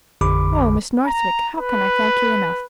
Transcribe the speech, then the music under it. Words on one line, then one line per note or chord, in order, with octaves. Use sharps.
Oh, Miss Northwick, how can I thank you enough?
A1 F2 D3 B5 D6
A#5
B4